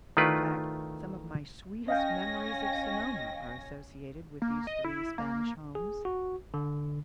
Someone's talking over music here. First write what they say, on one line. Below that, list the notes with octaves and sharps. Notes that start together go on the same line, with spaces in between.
In fact, some of my sweetest memories of Sonoma are associated with these three Spanish homes.
D#3 A3 E4 F4 B4 D5
C#4 D#5 F5 G5 G#5 A#6
A#3
D#5
E4
A#3
G#4
F#4
D3